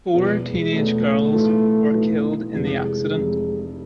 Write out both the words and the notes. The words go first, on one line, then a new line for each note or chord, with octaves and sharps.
Four teenage girls were killed in the accident.
E2 B2 F3 B3 E4
G#3
E2 B2 A3 B3 E4
B1 A2 E3 B3 F4
B1 A2 E3 B3 F4
F1 F2 C3 E3 G#3
F1 F2 C3 E3